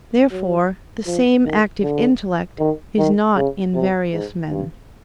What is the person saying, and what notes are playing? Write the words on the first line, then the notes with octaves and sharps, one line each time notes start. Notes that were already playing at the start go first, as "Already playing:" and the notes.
Therefore the same active intellect is not in various men.
F#3
F3
D#3
D3
D#3
D#3
C#3
C3
G#2
G2